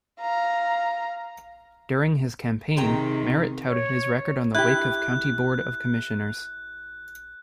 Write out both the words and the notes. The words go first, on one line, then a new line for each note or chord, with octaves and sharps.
During his campaign, Merritt touted his record on the Wake County Board of Commissioners.
F5 A#5
C3 D#3 G#3 G5 A#5
C#5
E4 G4 F#6